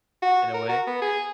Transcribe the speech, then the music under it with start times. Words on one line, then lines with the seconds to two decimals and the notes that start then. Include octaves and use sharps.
in a way.
0.22 F#4
0.54 A#4
0.69 F#4
0.87 B3
1.02 G#4